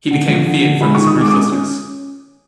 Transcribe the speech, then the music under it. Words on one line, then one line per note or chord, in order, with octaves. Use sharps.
He became feared for his ruthlessness.
D3
F3
D3
D3
G#3 B5
C#6
D#3
D#6
G#3 D6
D6
C#4 D#6
C#4